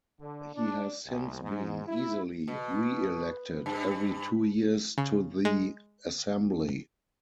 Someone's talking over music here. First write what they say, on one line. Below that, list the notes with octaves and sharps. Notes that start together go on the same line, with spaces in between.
He has since been easily re-elected every two years to the Assembly.
D3
D4
C2
G#2
E4
B2
G2
C#3
G#3